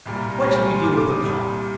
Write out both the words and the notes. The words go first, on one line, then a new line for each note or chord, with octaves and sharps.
What should we do with the cock?
C2 A#2 G3
A#5
A#5
C2 A#2 G3 G#5
G5
G#5
C6
C2 A#2 G3 D6
D6
D#6
C2 A#2 G3 D#6